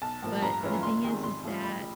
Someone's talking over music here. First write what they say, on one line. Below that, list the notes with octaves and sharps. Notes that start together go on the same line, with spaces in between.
but the thing is is that
B1 A5
A2 F3 A#3
G2 A#5
E3 G#3 C#4 F4
F1 C6
E2 C3 D#3 G#3
G#2 C6
F3 A3 C#4 F4
A1 B5